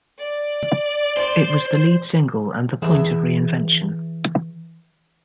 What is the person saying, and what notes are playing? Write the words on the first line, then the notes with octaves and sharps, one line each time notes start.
It was the lead single and the point of reinvention.
D5
C5
E3 G#4 E5